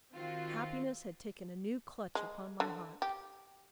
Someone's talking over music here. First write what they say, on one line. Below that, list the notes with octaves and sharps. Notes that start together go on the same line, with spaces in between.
Happiness had taken a new clutch upon my heart.
D#3 C4 F4 F#4
G#3
D3
G4